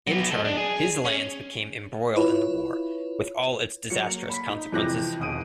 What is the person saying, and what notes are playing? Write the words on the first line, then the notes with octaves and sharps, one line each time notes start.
In turn, his lands became embroiled in the war, with all its disastrous consequences.
F#3 B3
A4 D#5
D4
G#4
C#4
E4 F4 B4 C#5
F#3 A#3 C#7
B5 B6
D#4
F2 C3 E3 F#6 G6 A#6
E1 D#3 D#6 D7 D#7